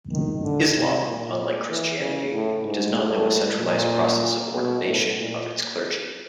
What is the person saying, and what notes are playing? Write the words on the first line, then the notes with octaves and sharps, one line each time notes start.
Islam, unlike Christianity, does not know a centralised process of ordination of its clergy.
D#3
D3
C3
A#2
E3
C#3
A2
G#2
A2
A#2
B2
A2
A#2